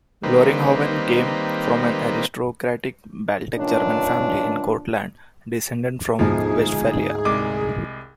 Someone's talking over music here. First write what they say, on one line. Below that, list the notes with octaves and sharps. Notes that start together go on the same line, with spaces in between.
Loringhoven came from an aristocratic Baltic German family in Courland descended from Westphalia.
D#3 G3 A#3 C4 B4
G2 A#2 D#3 C#4 D4
D2 G#2 B2 F3 G#4
C2 G#3 D6